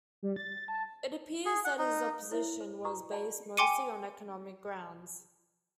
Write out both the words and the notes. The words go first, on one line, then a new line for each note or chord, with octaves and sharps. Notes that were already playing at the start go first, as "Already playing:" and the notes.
It appears that his opposition was based mostly on economic grounds.
G3
A6
A5
G#4
F#5
D#4
E4 C5 C#5 E5
C5
F#4 B4 A#5 C#6 D#6
D5 F#5 A5 B5
G5 G#5 C6 D6 C#7 D#7